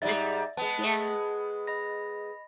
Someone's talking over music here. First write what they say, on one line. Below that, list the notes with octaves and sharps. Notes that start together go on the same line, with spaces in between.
this is Yeah,
G#2 G3 D5 E5 A6
G#3 B3 A5
D#5 B5 A#6